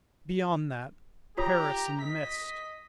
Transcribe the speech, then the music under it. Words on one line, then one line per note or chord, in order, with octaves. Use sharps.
Beyond that, Paris in the mist!
F4 G4 C#5 A#5 D#6
D#5 B6